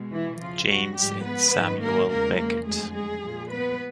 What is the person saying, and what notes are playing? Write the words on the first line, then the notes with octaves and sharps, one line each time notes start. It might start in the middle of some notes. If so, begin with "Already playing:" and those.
James and Samuel Beckett.
Already playing: B2 G#3
E3 E4
E2 C#3 E3 F3 F4
F#3 F#4
G#2 F3 G3 G#3 G4
B3 B4
G#2 D#3 F#3
A#3 A#4
E2 C#3 F3 G#3 A#3 A#4
A#3 A#4
F2 D3 F#3 G#3 A3 G#4
G#3 G#4
A#2 F3 G#3
B3 B4